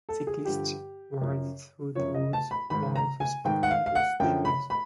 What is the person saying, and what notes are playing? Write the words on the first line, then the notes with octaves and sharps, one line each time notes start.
Cyclists ride through the woods while the spectators cheer.
A4
G#4
G2 D3 F3 G4
F#2 C#3 F3
F#2 C#3 F3 C#5
D#5
A5
B5
G#2 D#3 B5
A#5
G#5
G#2 D#3 G5
F#5
F5
F5
F#5
F#2 D3 F3 G5
B5
B5